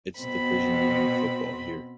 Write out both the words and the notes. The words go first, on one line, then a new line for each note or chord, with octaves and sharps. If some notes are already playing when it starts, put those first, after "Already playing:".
It's Division One football here.
B2 C4 B5